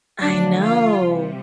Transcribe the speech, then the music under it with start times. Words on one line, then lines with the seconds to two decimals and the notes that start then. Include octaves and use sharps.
I know.
0.22 D3 F3 A3 D4
0.61 F4
1.01 C3 G3